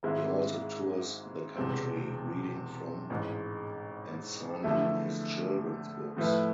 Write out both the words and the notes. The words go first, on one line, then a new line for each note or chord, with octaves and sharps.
He also tours the country, reading from and signing his children's books.
G#1 G#2 G#3 C4 E4
E1 E2 C3 G#3 C4
A1 G#2 G#3
E2 D3 F3 A3 E4
A2 F3 A3 E4 B4